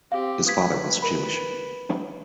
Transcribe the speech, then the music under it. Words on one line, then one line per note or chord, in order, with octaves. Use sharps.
His father was Jewish.
C4 G4 F5
B4 D#6 G#6 B6
A#4 B5